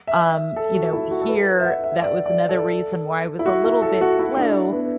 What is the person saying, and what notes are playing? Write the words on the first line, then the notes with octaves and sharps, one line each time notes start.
Um, you know, here, that was another reason why I was a little bit slow
E5
A4
F#4
E4
F#4
A4
B4
E5
F#5
E5
D5
D5
A4
E4
F#4
E4
A4
F#4
E4
D4
B3